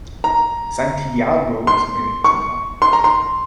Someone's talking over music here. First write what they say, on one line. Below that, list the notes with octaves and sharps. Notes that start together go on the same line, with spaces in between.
Santiago was married to Ma.
A#5
C6
C#6
C6
A#5
C6